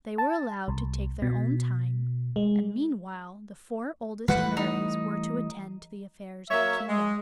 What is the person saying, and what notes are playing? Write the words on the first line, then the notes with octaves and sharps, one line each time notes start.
They were allowed to take their own time, and meanwhile the four oldest fairies were to attend to the affairs of the kingdom.
A5
C2
B2
G#3
E3 G3 A3 B4 F#5
D#4
F#3 A#3 C#5 E5
G#3